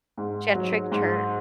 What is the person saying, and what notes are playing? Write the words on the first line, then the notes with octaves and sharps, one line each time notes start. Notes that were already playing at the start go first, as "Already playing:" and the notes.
She had tricked her
G#2
F#3
G#2